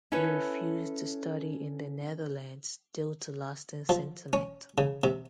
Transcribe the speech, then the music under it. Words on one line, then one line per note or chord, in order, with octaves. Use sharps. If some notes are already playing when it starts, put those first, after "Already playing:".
He refused to study in the Netherlands due to lasting sentiment.
C#4 E4 A4 B4 C#5
F3
C#4
C#3
C3